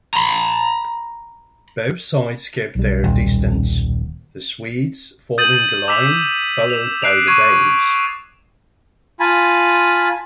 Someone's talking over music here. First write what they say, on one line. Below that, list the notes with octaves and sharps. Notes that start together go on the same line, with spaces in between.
Both sides kept their distance, the Swedes forming a line, followed by the Danes.
A#5 B5
B1 G3
D#1
D#6 G6 A6 D#7 F#7
D6 E6 B6 E7 F7
E7 F7
F#6 C7 D7 E7 F7
C#6 G#6 D#7
F4 G#5 A5 B5